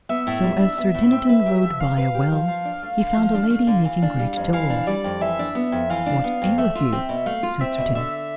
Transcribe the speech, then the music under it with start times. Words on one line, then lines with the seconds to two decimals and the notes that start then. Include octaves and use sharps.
SO as Sir Dinadan rode by a well he found a lady making great dole. What aileth you? said Sir Dinadan.
0.09 B3 E5
0.27 A2
0.44 G3
0.60 D4
0.78 B3
0.94 A2
1.12 C4
1.29 B4
1.46 G4
1.62 F3
1.80 C4 F5
1.98 B4
2.15 G4
2.32 F3
2.48 F3
2.65 D4
2.83 A3
2.99 D3
3.17 F3
3.34 D4
3.50 A3
3.67 D3
3.85 E3
4.02 D4
4.19 G3
4.37 F2
4.53 E3 F5
4.70 D4
4.87 G3 D5
5.04 F2
5.21 E3 E5
5.39 D4
5.55 B3
5.72 F2
5.90 E3 F5
6.06 D4
6.24 B3
6.42 F2
6.58 A3 E5
6.75 F4
6.92 C4
7.09 B2
7.26 A3 F5
7.43 F4
7.61 C4 E5
7.78 B2
7.95 D3 E5